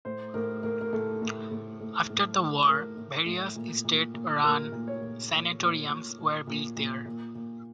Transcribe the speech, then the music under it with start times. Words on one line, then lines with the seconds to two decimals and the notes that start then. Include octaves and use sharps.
After the war, various state-run sanatoriums were built there.
0.05 A2 C5
0.34 A2 A#4
0.63 A2 A#4
0.81 A#4
0.93 A2 A4
1.22 A2
1.51 A2
1.80 A2
2.10 A2
2.39 A2
2.68 A2 A#4
2.97 A2
3.26 A2
3.56 A#2
3.84 A#2
4.14 A#2
4.43 A#2 A#4
4.72 A#2
4.88 C#5
5.01 A#2
5.31 A#2
5.60 A#2
5.89 A#2
6.18 A#2
6.47 A#2
6.77 A#2
7.05 A#2
7.35 A#2